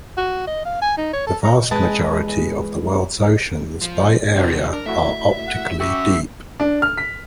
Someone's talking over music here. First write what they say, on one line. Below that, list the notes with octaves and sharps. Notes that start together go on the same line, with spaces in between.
The vast majority of the world’s oceans by area are optically deep.
F#4
D#5
F5
G#5
D#4
C#5
A4
A#5
E2 G#3 G#4 B4 D#5 A5
F3
F2 C3 D4 F#4 C5
D4 A#4
A3 E4 F#4 E5
F#5
C#4 F#4 E5 G5 C#6 D6
D4
F6
B6